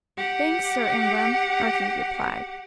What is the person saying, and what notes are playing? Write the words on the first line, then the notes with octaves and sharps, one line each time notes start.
"Thanks, Sir Ingram," Archie replied.
G4 F#5